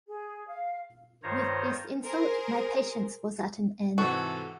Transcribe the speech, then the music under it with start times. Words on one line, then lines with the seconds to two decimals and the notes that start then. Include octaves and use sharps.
With this insult my patience was at an end.
0.07 G#4
0.47 F5
1.23 G2 D#3 F4 C5 C#5 A#5
2.04 G#4 A#4 C5
3.98 G#2 C3 E3 F#4 A4